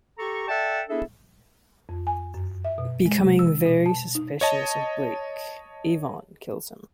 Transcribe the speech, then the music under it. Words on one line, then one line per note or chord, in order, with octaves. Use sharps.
Becoming very suspicious of Blake, Avon kills him.
G4 A4 A#5 C#6
A4 D5 E5 F#5 G5 A5
B3 D4 E4 G#4 A4 E5
F2
G#5
F#2
E5
B2
G#3
C3
E6
B2
A5
D#4
C#5 D#5 A5